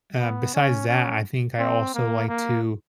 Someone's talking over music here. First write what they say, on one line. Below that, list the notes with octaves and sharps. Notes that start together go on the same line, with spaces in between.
uh, besides that, I think I also like to
B3
C#4
C#4
C4
A#3
A#3